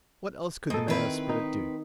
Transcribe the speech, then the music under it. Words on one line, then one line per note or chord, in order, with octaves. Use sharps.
What else could the man of spirit do?
G#2 A4 D#5
D#3 C4 E4 B4
D#4